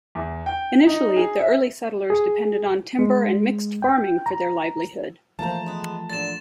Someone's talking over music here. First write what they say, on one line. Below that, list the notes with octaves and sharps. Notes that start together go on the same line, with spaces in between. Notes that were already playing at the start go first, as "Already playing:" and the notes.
Initially, the early settlers depended on timber and mixed farming for their livelihood.
E2
G5
D#4
G#4
E5
G#4
G#3
G5
A#5
E3 F3 A3 A#3 C5 A5 A#5
G#3 B3
A#2 D3 A6 E7